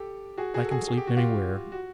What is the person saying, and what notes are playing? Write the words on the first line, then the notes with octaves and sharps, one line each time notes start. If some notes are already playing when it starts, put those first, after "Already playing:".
'I can sleep anywhere.
Already playing: G4 A4
F#4 G#4
F#4 G#4
A4
F#4 G#4
G#4
G4
F#4
F4 G4
F#4